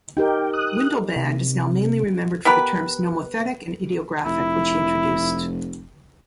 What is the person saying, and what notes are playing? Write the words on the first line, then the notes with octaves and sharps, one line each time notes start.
Windelband is now mainly remembered for the terms "nomothetic" and "idiographic", which he introduced.
D#4 G4 A#4 G5
D#6 F#6
C3
B3 G4 A#4 B4
F1 E4